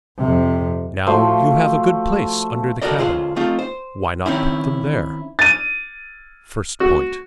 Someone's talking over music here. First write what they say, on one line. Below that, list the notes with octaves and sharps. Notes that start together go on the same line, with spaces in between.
Now, you have a good place under the cabin; why not put them there?--first point.
F2 C3
F3 A3 F#4 C5
F#4 A4 A#4 D5 D#5
D3 F4 G#4 C5
A3 C4 D#4 F4
C5
D#3 C4 C#4 E4
A6 D#7
F#4